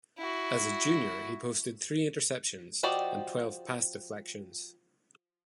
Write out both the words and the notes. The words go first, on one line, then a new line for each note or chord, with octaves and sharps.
As a junior, he posted three interceptions, and twelve pass deflections.
E4 F#4
F3 F#4 G4 D5 D#5